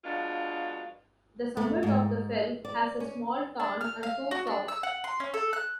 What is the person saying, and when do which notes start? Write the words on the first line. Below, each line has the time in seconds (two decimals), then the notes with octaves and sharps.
The summit of the fell has a small tarn and two tops.
0.04 B2 F#3 G#3 A#3 D4 F4
1.57 A3
1.83 G#2
2.65 D5
3.00 C#4
3.60 D4
3.81 F6
4.03 F5
4.31 F#4
4.47 D4
4.68 E6
4.83 F#5
5.04 C6
5.20 C#4
5.34 A4
5.53 F#6